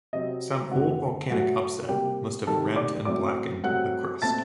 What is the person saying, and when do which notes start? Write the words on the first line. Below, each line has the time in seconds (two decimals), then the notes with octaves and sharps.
Some old volcanic upset must have rent and blackened the crust.
0.13 C3 F#3 C4 D#5
0.71 F#2 D3 A3 C4 F#4 F#5
1.30 G2 F#3 A3 F#4 F#5
1.89 C3 G3 A#3 G4 G5
2.47 C3 D#3 G3 A4 A5
2.76 D5 D6
3.05 A2 F#3 A3 C4 D5 D6
3.64 G2 F#3 A3 C4 F#5 F#6
4.22 A#2 A3 C4 A5 A6